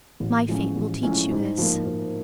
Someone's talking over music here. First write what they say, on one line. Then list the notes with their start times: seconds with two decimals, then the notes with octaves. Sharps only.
My fate will teach you this..
0.20 A1
0.48 A2 F3 G#3 C#4
0.75 A1
1.03 A2 F3 G#3 C#4
1.31 G#2
1.58 F3 A#3
1.86 G#2